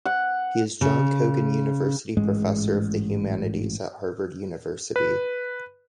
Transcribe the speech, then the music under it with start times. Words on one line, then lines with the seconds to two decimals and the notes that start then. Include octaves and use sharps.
He is John Cogan University Professor of the Humanities at Harvard University.
0.05 F#5
0.81 C#3
2.17 A1 G#2 G#3
4.96 B4